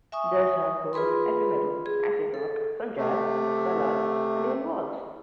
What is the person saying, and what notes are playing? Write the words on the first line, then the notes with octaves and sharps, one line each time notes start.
There's hardcore, heavy metal, acid rock, some jazz, ballads and even a waltz.
E5 G#5 C#6 D#6
F4 G#4 B4 B5 C6
G#4
A4
C3 A3